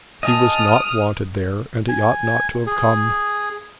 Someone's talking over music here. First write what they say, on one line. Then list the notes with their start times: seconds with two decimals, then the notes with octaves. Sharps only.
He was not wanted there, and he ought not to have come.
0.23 D#5 G#5 A5 D#6 F6
1.89 G#5
2.67 G#4